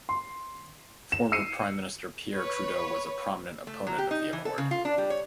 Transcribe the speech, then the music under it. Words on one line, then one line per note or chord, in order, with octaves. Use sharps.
Former Prime Minister Pierre Trudeau was a prominent opponent of the Accord.
C6
E7
E6 C7 C#7 D#7
B4 C#5
A3
F#3
G4
D#4
E3
A4
C#3
F4
D4
G3
C#5